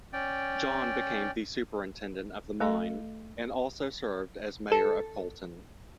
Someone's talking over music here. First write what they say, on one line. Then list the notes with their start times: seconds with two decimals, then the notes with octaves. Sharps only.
John became the superintendent of the mine, and also served as mayor of Coalton.
0.13 C#4 D5 G5
2.60 A3 A4 D#5
4.72 A4